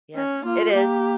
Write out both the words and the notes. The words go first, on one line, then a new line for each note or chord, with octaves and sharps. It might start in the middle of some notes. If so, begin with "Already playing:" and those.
Yes, it is.
C#4
A#3 F4
G#3
A#3 G4